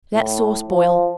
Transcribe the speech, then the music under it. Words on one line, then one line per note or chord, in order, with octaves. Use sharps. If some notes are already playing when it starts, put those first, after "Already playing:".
Let sauce boil.
A2
F3